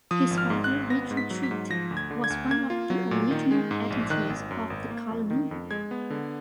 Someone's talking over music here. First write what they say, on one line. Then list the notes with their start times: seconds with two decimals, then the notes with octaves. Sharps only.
His father Richard Treat was one of the original patentees of the colony.
0.11 F3 D#6
0.31 G#1
0.38 F6
0.50 G#2
0.64 F#6
0.71 G#1
0.90 B3 A#6
1.11 G#2
1.17 B6
1.30 F#3
1.43 B6
1.51 G#2
1.70 F3 A#6
1.91 D2
1.97 G#6
2.11 D3
2.24 G#6
2.30 D2
2.51 A#3 G#6
2.70 F4
2.90 F#3
3.11 A#2
3.31 D#3
3.51 G#3
3.71 G#2
3.90 A#1
4.10 D#3 F#6
4.30 G#1
4.51 F#2
4.70 G#1
4.91 A#3
5.11 F2
5.30 D#3
5.51 F2
5.71 G#3 G#6
5.91 B3
6.10 D3